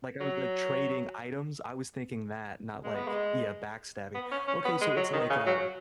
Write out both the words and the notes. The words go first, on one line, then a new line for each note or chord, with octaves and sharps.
like, I was, like, trading items I was thinking that, not like yeah, backstabbing, okay so it's like a
F#3
G#3
B3
G#3
B3
C#4
C#4
B3
G#3
F#3
D#3
C#3
F#3